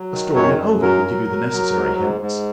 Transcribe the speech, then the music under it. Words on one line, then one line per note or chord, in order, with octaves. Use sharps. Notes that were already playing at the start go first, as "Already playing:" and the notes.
A story in Ovid will give you the necessary hints.
Already playing: F#3
D#3
F#2 C#5
F#2
F#3 A#4
F#3
F#3
F#3
G#2
G#2
G#2